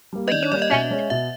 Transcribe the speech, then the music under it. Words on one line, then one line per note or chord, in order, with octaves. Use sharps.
But you offend
G3 A#3
D#5
D#3 D5
C#5
G3 A#3 D5
D#5
B2 E5
G#3 C#4
B2 E5